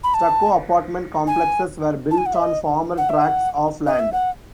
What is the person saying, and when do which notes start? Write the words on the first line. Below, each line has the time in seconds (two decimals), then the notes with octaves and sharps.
Stucco apartment complexes were built on former tracts of land.
0.04 B5
0.14 A5
1.27 G#5
2.11 A5
2.18 G#5
2.26 F#5
2.34 E5
2.42 D#5
2.98 F#5
3.09 E5
3.22 F#5
3.87 D#5
4.00 E5
4.13 F#5